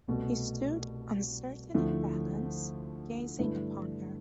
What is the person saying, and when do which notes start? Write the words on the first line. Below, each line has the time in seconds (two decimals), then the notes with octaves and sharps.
He stood, uncertain in balance, gazing upon her.
0.08 C2 B2 A3
1.74 D2 D3 F3 A3 E4
3.39 G2 D3 A3 E4 B4